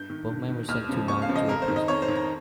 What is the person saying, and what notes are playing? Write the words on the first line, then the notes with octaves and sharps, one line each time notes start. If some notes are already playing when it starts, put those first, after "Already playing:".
Both men were sent to Mountjoy Prison.
Already playing: G2 G6
D#3
G2
D#3
D#2 F6
C#3 F3
D#2 C#6
F5
C#3 F3
D#5
F2 A#4
C5
D#3
D#5
F2 C#5
C5
D#3
A#5